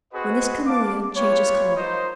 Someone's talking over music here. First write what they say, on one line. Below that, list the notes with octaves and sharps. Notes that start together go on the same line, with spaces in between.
"When this camellia changes colour."
C4 F#4 G#4 B4 C5 D#5
F4 F5 A5 D6
F4 G4 B4 C#5
D#4 F4 A#4 C5 D#5